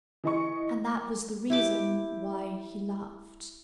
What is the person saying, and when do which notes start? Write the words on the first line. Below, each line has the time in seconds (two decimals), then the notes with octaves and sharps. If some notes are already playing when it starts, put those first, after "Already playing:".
And that was the reason why he laughed.
0.24 E3 D#5 C#6
1.50 E4 G4 D6